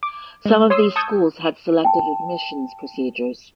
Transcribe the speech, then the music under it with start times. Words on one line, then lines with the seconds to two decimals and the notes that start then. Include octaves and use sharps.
Some of these schools had selective admissions procedures.
0.03 D6
0.45 G#3 E6
0.70 C#5 C6 D#6 E6 C7
0.96 A5 C#6 D#6 E6 G6 G#6
1.85 G5 A5